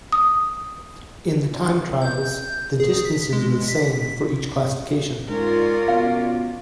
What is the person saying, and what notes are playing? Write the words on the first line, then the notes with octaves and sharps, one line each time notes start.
In the time trials, the distances were the same for each classification.
D#6
G6
G#4
B6
G#3
B6
G#2 C#4 F4 A#4 D5
B2 F5